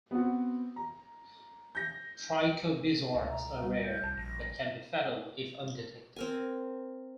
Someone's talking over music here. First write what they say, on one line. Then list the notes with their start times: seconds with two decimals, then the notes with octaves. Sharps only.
Trichobezoars are rare, but can be fatal if undetected.
0.11 B3 C4 F#4
0.76 A#5
1.75 G6 A#6
3.14 C#2 C5
3.28 B2 E5 A#5
3.62 G3 F#4
3.84 G6
4.03 C2 A5
4.17 A#1 A#6
6.16 C4 A#4 G#5